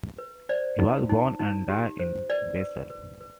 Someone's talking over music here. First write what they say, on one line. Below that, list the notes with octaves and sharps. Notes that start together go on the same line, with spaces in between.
He was born and died in Basel.
B4
C5 D5
D#4
D#4
D#4
G4
C5
B4 D5
B4
B4
B4